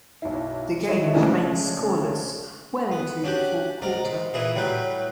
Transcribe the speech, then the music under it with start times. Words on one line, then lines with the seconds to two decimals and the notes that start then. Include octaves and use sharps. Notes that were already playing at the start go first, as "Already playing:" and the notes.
The game remained scoreless well into the fourth quarter.
0.22 B1 E4
0.87 E4 F#4 A4 C#5 D#5 E5
1.14 C#3 F3 G#3 A3 C#4 D4
2.91 B3
3.24 C#4 D4 F#4 G4
3.82 G#2 A#4 D5
4.05 G#2
4.34 A#2 E3 E4 G#4
4.55 A2 F#3 G3 B4 G5